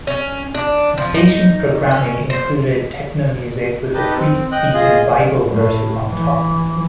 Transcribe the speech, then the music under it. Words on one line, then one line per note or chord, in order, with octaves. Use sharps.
The station's programming included techno music with a priest speaking Bible verses on top.
C#4
D4
F3
D#4
C#4
C5
D#4 G4 B4 D#5 A5 G6
C4
D#5 G5 F#6
F4 G#4 D#5
A2
E3